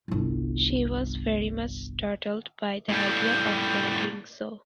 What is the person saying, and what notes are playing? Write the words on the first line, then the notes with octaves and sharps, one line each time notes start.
She was very much startled by the idea of my doing so.
G1 C2
A2 G3